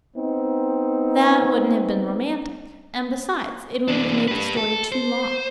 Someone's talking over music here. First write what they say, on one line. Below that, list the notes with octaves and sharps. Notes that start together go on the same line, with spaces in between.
"That wouldn't have been romantic, and, besides, it would have made the story too long."
B3 C4 D#4
E3 D4
G4 B4
A4
C5